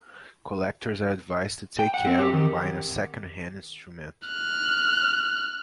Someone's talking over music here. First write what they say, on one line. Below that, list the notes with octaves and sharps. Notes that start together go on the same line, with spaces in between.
Collectors are advised to take care when buying a second-hand instrument.
G5
F#5
C4
G4
D#3
F6 F#6